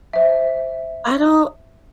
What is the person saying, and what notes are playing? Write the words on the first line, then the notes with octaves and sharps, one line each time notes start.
I don't
C5 E5